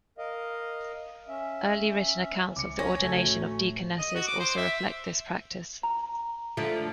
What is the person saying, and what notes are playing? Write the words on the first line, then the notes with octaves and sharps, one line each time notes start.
Early written accounts of the ordination of deaconesses also reflect this practice.
A#4 D#5 F5
C#4 E5
C2 D6 C#7
C#4 A#6
C#2 F#3 A3 A4
A1
D#5
F#4
D6
C5
E5
A#5
D3 F3 A3